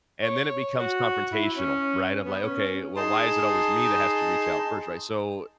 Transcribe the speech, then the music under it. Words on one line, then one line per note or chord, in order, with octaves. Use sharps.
And then it becomes confrontational, right, I'm like, "Okay, well, why is it always me that has to reach out first?" Right, so, uh
C#5
F#4
E4
C#4
B3
C#4
D#4 G#4 A5 C6